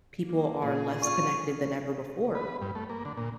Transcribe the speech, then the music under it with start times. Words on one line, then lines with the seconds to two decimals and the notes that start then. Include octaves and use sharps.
people are less connected than ever before.
0.24 A#3
0.62 A#2 G#4
1.02 F4 D5 F5 C#6
2.35 B4
2.61 G2
2.75 A3
2.89 A#3
3.05 D3
3.17 A#2